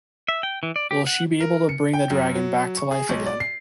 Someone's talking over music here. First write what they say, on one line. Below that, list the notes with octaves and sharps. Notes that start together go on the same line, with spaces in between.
Will she be able to bring the dragon back to life again?
E5
G5
E3
D5
G4
F#5
A#4
C#7
G5
F#2
F#3
C#6
G#4
B1
D5
C7